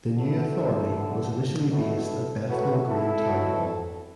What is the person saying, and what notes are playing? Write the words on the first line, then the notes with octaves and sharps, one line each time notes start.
The new authority was initially based at Bethnal Green Town Hall.
D3 F#3 B3 E4 A4
D3 B3
B2 F#3 A3 E4 A4
A2 F#3 A3 F#4 B4
E4 A4
B2 F#3 A3